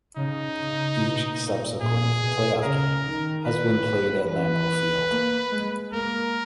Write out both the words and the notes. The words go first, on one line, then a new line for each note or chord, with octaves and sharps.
Each subsequent playoff game has been played at Lambeau Field.
C#3 D#4
C#3
B2
A#2
A#2 G#4
B2
C#3 A#4
D#3
B4
E3 B4
A#3
G#3
A#3 A#4